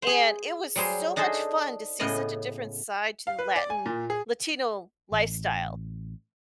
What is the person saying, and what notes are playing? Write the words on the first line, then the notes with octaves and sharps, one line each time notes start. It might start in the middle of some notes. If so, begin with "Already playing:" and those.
And it was so much fun to see such a different side to the Latin Latino lifestyle
G#4 C5
F#3 G3 G#4 C5
D4 D#4 G#4 A4 C5 E5
A2 C#3 B3 D#5
F5
B4
D5
G#5
A#2
G#4
A1